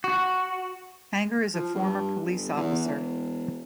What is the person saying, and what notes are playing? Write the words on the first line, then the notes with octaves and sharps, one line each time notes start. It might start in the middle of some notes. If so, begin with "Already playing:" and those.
Hanger is a former police officer.
F#4
F3
G2
G1
E2
E1